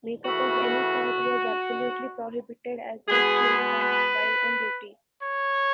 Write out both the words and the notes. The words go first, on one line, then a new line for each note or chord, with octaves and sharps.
Makeup of any sort was absolutely prohibited, as was chewing gum while on duty.
C#3 E3 A3 F#4
B2 G#3 B3 G#4
B4
C#5